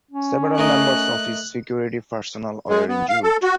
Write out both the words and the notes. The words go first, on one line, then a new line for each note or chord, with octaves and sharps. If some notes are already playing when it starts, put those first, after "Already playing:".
Several members of his security personnel were injured.
C#4
A3 A#4 D#5 F#6
G#3
B3
F5
A4
F#4